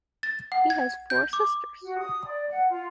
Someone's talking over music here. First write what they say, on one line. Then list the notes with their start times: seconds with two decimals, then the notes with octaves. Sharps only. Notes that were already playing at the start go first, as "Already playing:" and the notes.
He has four sisters.
0.23 A6
0.52 F#5
0.70 G#6
1.10 G6
1.33 D6
1.82 F#4
1.99 D#6
2.25 D5
2.49 F#5
2.68 F4